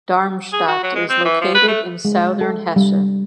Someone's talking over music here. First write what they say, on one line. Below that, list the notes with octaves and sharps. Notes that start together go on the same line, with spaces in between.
Darmstadt is located in southern Hesse.
G#4
F#4
F#3
G#3
C4
E3
F3
B4
A3
G#3
A4
G3